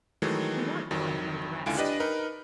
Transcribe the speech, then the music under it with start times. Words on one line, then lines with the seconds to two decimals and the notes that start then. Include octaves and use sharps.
We want wine, among the rest.
0.22 D#3 E3 F#3 G#3 A3
0.91 G#1 F2 D#3 F#3
1.66 C#2 D3 E4 F4 G#5 D7
1.77 D4 G4 B4 D5 D#5
2.00 D#4 A#4 B4